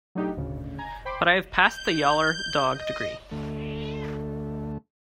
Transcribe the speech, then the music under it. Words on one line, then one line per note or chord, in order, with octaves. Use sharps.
But I have passed the yaller dog degree.
F#3 A3 D4 D#4 F#4 G4
D2 A2 C#3
G#5 A#5 G#6
C5 G5 B5 C6 D6
G6
D#5
D2 A3